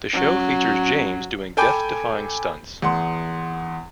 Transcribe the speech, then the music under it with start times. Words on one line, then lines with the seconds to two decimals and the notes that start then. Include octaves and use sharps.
The show features James doing death defying stunts.
0.14 F#3 C#4
1.57 A4 G5 G#5 B5 D6 G6
2.82 E2 F#5 C6